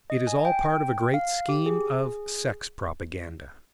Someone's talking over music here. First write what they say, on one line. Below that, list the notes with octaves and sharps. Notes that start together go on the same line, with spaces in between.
It is all part of a great scheme of sex propaganda.
D#5
G#5
G5
F5
G4
G#4